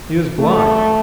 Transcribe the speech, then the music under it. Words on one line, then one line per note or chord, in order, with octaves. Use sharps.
"He is blind."
A3